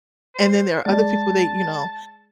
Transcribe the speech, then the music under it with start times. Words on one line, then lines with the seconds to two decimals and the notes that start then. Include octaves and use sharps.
and then there are other people they you know,
0.35 C5
0.86 G#3 D5 A5